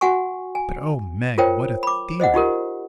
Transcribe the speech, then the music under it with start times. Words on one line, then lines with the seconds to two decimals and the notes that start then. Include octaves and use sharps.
"But oh, Meg, what a theory!"
0.01 F#4 F#5 G#5 C#6
0.55 G#5
1.38 F4 A#4 C5 C#5 G5
1.83 B5 D6
2.20 C5 D#5 E5 F#5
2.34 D#4 F4 G4 A#4